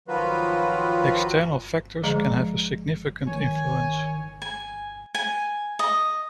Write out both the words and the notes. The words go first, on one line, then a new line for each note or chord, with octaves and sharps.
External factors can have a significant influence.
D#3 F3 F#3 F4 F#4 B4
D3 F3 G#3 G#4 D#5 A#5
D#3 C#5 G#5
G#5
G#5
D#5